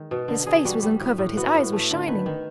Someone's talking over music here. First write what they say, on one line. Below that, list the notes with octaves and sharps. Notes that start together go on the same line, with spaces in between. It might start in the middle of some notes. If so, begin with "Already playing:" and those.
His face was uncovered, his eyes were shining.
Already playing: D#3 G#3
B2
D3
D3 G#4
G3 F#4
G3
A2
A2
B3 F#4
A2
A3
D3
D#3 B4
D#3